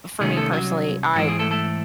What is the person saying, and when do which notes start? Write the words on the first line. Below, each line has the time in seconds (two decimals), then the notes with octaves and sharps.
for me personally, I,
0.20 C2 C3 D#3 G#3 A3 C#4 G#4
0.36 A3 A4
0.52 F#3 F#4
1.15 G#2 E3 F#3 G#3 C4 F#4
1.28 G#3 G#4
1.39 A3 A4
1.51 A3 A4